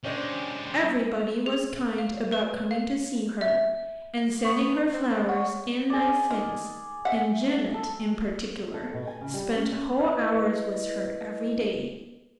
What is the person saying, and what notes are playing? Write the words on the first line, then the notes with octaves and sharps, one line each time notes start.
Everybody was kind about coming to see her, and sending her flowers and nice things, and Janet, in particular, spent whole hours with her every day.
G#3 C#4 D4 G4 C5
G#4
F5
B4
F5
E5
B3 C#6
C4
C#5 F#5
G#4 D5
D#3
E5 F#5
A4
A4
B2
G#5
C#3
G3
C#4
C#4
E4 B4 D#5